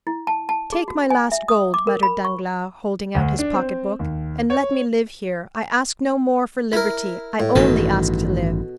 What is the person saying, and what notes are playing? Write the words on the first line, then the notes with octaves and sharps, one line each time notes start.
"Take my last gold," muttered Danglars, holding out his pocket-book, "and let me live here; I ask no more for liberty--I only ask to live!"
E4
A5
A5
G#4
F#4
G#5
E5
D#6
D6
A#4
B5
C#6
D2
D4
C4
D#2
C#5
E4 A#4
A2
A1 G2 B2 D#3 A4